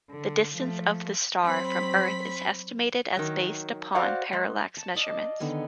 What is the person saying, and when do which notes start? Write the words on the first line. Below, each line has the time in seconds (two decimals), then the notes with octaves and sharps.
The distance of this star from Earth is estimated as based upon parallax measurements.
0.11 D3
0.56 F3 A3
1.43 F#3 C4 B5 B6
3.17 D#3 F#3
3.95 F#4 C5 D5 F5 F#5
4.33 G#3
4.77 A5 C#6
4.95 D5 D#5 F5 A5
5.40 D3 D#3 B3 G#5